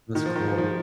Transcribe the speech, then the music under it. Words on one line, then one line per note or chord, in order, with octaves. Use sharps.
That's cool.
D#3
F3
D#3
F3
F3